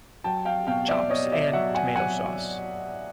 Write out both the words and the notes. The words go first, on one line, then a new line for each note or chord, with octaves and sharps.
Chops and tomato sauce.
F#3 G5 A5
F5 G5
B2 F5 G5
D5 E5
B2 C#5 D#5
D5 E5
F#3 E5 F#5
F#5 G#5
F#3 F#5 G#5